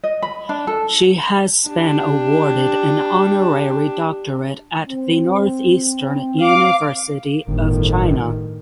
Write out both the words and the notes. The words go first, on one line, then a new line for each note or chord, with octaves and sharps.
She has been awarded an honorary doctorate at The Northeastern University of China.
D#5
B5
D4
A4
D4 G4
C4
F5 D6
G1 A2 D#3